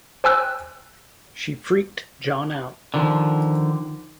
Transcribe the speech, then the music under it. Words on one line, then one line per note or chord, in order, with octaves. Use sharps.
She freaked John out.
C5 G5 G#5 E6 F#6
D3 D#3 F3